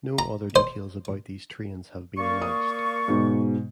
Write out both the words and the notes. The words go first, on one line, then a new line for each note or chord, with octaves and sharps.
No other details about these trains have been announced.
A#5
C5
A#3 D5 C#6
D#6
G#2 B2